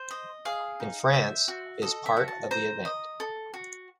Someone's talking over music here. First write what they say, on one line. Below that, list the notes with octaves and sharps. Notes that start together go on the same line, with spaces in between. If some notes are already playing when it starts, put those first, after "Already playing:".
In France, is part of the event.
Already playing: C5
D#5
G#4 F5
D#4
C5 E5
F#4
A4 D#5
E5
F#4
A5
C5 A#5
D#5
A4
F#4